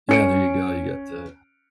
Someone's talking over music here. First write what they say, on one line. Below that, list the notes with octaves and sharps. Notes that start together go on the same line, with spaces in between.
Yeah, there you go. You got the,
C#4 C#7 D7